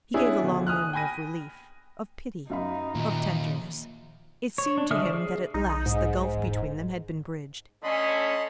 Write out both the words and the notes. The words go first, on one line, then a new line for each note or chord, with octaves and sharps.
He gave a long murmur of relief, of pity, of tenderness; it seemed to him that at last the gulf between them had been bridged.
B3 C#4 D4 E4 G#4
D#2 B2 D3
G#5 D#6 F6 F#6
G5 G#5 B5 A#6 D#7
F#2 D#4 F5 B5
D#2 A#2
C#5
D4
D3 G#3 E5 D#6 F6
C5 D5
G#4
B1 D#4
G#2
E1
D3 A3 C#4 D#5 B5 C6